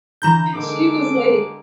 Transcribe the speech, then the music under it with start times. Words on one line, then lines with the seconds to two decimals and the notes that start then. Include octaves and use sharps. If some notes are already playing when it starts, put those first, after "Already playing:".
she was like,
0.22 D3 E3 A#5 B5 G6 E7
0.55 D3 G#3 A#3 D#4 A4 D6